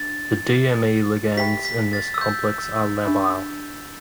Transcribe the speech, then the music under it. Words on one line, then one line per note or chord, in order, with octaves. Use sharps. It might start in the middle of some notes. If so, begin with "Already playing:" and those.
The dme ligands in this complex are labile.
Already playing: D4 A6
G4 B4 E5 G5 B5 B6
B6
A6
E6
G6
D4 G4 E5 B5